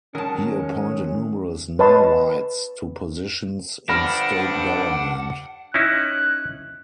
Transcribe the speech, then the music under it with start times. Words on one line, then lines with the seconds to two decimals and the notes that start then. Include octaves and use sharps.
He appointed numerous non-whites to positions in state government.
0.15 D#3 F#3 G#3 C#4 A#4 A5
1.79 B4 C#5 D#5 A5 C6
3.89 G2 D3 F3 D4 F#5 B5 F6 A#6
5.74 C#4 D#4 E4 F#6